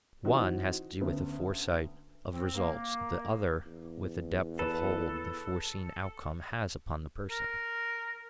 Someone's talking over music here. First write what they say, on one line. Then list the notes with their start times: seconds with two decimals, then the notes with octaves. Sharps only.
One has to do with the foresight of results, the other with the depth of hold the foreseen outcome has upon the person.
0.25 E3 C4 D#4 F#4
1.01 D2 B3 C#4
2.33 C4
2.55 A#3
3.66 E2
4.59 A4 B4
7.30 A#4